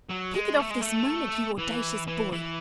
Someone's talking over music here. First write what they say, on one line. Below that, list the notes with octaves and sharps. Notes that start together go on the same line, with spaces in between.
'Take it off this moment, you audacious boy!
F#3
G#3
A3
G#3
A3
E3
E3
E3